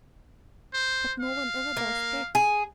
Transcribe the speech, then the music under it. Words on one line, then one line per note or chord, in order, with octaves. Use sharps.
"But no one ever does that!"
C5
F5
A#3
G#4